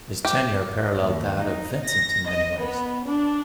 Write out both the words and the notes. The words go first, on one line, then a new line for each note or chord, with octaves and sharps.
His tenure paralleled that of Vincent in many ways.
G4
D#2
D#4
A#6
D#5
B3
D4